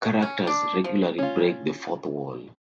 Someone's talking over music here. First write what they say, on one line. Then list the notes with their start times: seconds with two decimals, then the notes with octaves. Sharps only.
Characters regularly break the fourth wall.
0.22 C#4
0.47 D4
0.84 F3
1.18 C#4 F4